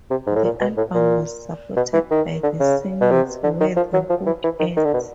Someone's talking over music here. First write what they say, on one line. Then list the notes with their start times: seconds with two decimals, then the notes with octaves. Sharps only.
The album was supported by the singles Where the Hood At?
0.10 C3
0.27 G#2
0.35 A2
0.45 A#2
0.60 B2
0.77 A2
0.94 A#2
1.76 B2
1.93 E3
2.11 D#3
2.43 D3
2.60 C#3
3.01 B2
3.11 C3
3.43 D3
3.60 D#3
3.76 F3
3.93 F#3
4.09 F3
4.26 E3
4.44 E3
4.59 D#3
4.77 D#3
4.84 D3
4.94 B2